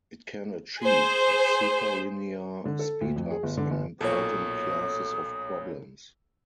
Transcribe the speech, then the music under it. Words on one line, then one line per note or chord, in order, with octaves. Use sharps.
It can achieve super linear speed-ups on important classes of problems.
G#4 C5
D3
A4
D2
F2
G#4
G1
D3
G1
B1 A#2 A4 C#5 C#6 D#6